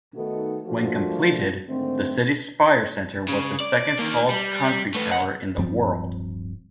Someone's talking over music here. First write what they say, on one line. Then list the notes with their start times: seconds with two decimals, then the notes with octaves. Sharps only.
When completed, the CitySpire Center was the second tallest concrete tower in the world.
0.16 D#3 A3 B3 D#4 F#4 A4
0.65 F3 A3 A#3 D4 F#4
1.68 G#2 D3 D#3 A3 C4
3.29 C#3
3.60 D5
3.99 D#3 A#3
4.29 G3
4.95 A3 B4
5.11 B1 F#5
5.58 D1 G2 F3 C4